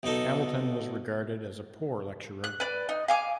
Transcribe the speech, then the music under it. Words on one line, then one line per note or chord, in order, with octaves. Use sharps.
Hamilton was regarded as a poor lecturer.
B1 B2 D#4 A4
F#6
B4 D5
D#4
F5 G#5 D6